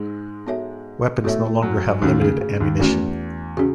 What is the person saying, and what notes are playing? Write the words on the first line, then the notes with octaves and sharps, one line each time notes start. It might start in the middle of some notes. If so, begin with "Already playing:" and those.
Weapons no longer have limited ammunition.
Already playing: G#2 G#3
B3 F#4 A4 C#5 E5
A2 A3 B3 F#4 A4 C#5 E5
F#2 F#3
D#2 D#3 A3 C#4 F#4
C#3
C#3
D#2 D#3
E2 E3 A3 C#4 F#4
C#3 C#4 F#4